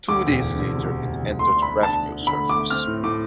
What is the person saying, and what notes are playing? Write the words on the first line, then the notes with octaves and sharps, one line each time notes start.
Two days later, it entered revenue service.
D2 D6
E1
E1
E1
C3
E1
E1
D2
A3 C6
D4
B5
A3
A5
D4
A4
D3
B5
A3
A3 D6
C4 F6
A2
A2 D6